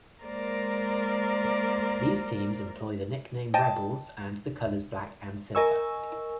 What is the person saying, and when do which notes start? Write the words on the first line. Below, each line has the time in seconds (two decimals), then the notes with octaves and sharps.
These teams employ the nickname Rebels and the colors black and silver.
0.23 G#3 A#3 A#4 C5 D5
3.54 D#5 G5 A5
5.55 A#4 D#5 G#5 C#6 E6